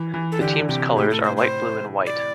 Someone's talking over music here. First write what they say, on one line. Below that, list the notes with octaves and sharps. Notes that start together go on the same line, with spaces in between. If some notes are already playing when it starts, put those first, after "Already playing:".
The team's colours are light blue and white.
Already playing: E3
E3
A4
D3 G4
D3
C3 G4
A2 G4
A4
C5
C5
D5